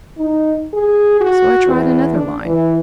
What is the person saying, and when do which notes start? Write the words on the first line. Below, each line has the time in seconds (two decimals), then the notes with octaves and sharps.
So I tried another line.
0.17 D#4
0.73 G#4
1.20 F#4
1.66 E2
2.16 D4
2.45 E3